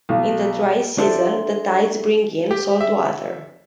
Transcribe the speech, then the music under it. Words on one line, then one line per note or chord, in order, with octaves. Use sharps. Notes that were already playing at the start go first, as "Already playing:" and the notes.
In the dry season, the tides bring in salt water.
B1
D4 G4 A4 C5 D5 E5
G4
E5